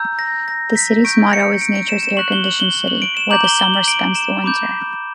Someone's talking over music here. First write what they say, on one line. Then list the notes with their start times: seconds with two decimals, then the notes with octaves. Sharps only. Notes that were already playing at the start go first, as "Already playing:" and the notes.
The city's motto is nature's air conditioned city, where the summer spends the winter.
Already playing: A#5 E6 G6
0.19 A#6
0.48 A#6
0.76 B6
1.04 C#6 G6 D7
1.33 C#7
1.61 D7
1.75 D7
1.89 E7
2.03 E7
2.17 C#6 F#6 F#7
2.32 G7
2.46 F#7
2.60 G7
2.88 F#7
3.02 D7
3.17 E7
3.30 A#5 D6 G6 F#7
3.44 G7
3.60 G7
3.74 F#7
3.88 D7
4.15 E7
4.44 B5 D6 G6